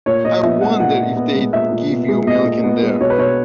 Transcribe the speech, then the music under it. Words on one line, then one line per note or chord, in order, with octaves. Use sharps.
I wonder if they’d give you milk in there?
A#2 C#5
A#2 D#5
B3 E5
G#3 F#5
A#2 F#5
A#2
B3
G#3
A#2 E5
A#2
B3
G#3
A#2 D#5
A#2
B3
G#3
B2 C#5
B4
B2 C#5